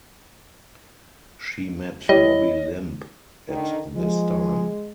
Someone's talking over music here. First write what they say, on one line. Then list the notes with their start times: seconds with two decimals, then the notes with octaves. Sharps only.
She met Bobby Limb at this time.
2.09 G3 E4 C#5 D#5
3.48 D3 D#3
3.95 F3 G#3